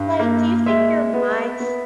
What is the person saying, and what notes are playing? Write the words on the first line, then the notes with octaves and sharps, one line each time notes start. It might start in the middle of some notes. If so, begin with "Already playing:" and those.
Like, do you think your minds
Already playing: G2
A#3
G#3 E5
B3
B3